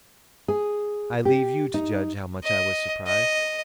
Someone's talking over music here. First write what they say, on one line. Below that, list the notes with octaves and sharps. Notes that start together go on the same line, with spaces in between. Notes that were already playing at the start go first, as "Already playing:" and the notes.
I leave you to judge how much I was surprised.
G#4
G4
D#4
D#5
D#5